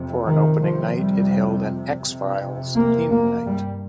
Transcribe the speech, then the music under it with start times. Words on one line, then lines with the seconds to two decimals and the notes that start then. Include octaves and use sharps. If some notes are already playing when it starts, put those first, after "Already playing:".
For an opening night it held an "X-Files" theme night.
Already playing: F2 C3
0.26 D#3
0.61 F2 C3 F3
0.97 G3
2.03 F2
2.08 C3
2.74 A#3
3.10 A#3
3.46 G2 G3